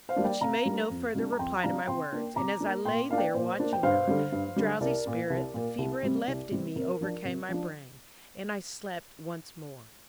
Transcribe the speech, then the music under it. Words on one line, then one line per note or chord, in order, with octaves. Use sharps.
But she made no further reply to my words; and as I lay there watching her, the drowsy spirit the fever had left in me overcame my brain, and I slept once more.
C5 F5
G3 A#3 D4
D5 G5
C3 F5 A#5
G3 A#3 D4
F2
C3 G3 D4
A#5
F2 G5 C6
C3 G3 D4 F5 A#5
C3 G5 C6
A#3 D4
C3 A#5 D6
A#3 D4
A#2 G5 C6
A#3 D4 F5
D5 G5
A#2 C5
A#3 D4
G5
G2 C5 F5
D3 G3
G2
D3 G3
C2 A#4 D5
A#2 A#3
C2
A#2 A#3
C2
C3 G3 C4
C2
C3 G3 C4
C3 A#4
F3 D4
C3
F3
D4